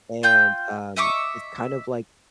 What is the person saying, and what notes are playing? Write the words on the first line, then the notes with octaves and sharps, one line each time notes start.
and, um, it's kind of like
F4 G5 G6
D#5 E5 C#6 D6